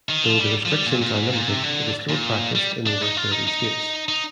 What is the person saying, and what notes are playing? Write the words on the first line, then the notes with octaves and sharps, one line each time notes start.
Though the restrictions are limited, it is still practiced in over thirty states.
D#3
F3
G3
F3
G3
A#2
A#2
G#2
A#2
C3
D3
A#2
G3
D4
D#4
F4
D#4
D#4
D#4